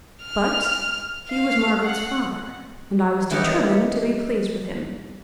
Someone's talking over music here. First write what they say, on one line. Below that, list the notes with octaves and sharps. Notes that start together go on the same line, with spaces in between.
But he was Margaret's father; and I was determined to be pleased with him.
F6
F5
F#5
E3 G3 B3 D#4 A#4 C#5